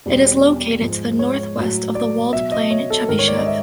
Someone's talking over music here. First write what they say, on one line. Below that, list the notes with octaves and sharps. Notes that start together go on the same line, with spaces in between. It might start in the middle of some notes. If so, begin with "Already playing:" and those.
It is located to the northwest of the walled plain Chebyshev.
E2 B2 G3
G#2 F3 G#3
C#5
A2 F#3
D5
B2 F#3 E5
D#5
C#5
A4
G#2 D#3 G3 A#4
C#5
D5
D#5
E5